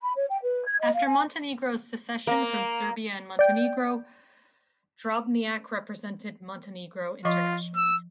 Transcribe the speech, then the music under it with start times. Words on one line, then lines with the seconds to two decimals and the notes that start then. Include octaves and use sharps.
After Montenegro's secession from Serbia and Montenegro, Drobnjak represented Montenegro internationally.
0.01 B5
0.16 C#5
0.29 G5
0.43 B4
0.65 G#6
0.80 D#5
0.94 F5
1.06 G#5
2.27 A#3
3.39 D5 G5
7.25 F3 F4 D#5 C#6
7.76 E6